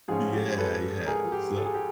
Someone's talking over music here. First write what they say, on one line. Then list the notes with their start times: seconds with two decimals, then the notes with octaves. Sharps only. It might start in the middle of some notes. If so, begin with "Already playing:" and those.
Yeah, yeah, so.
0.08 G#2 F3 G#3 C#4 G#4
0.32 G4
0.58 A4 B4
1.07 G#4 A#4
1.32 G4
1.57 A4
1.65 G#4
1.74 G4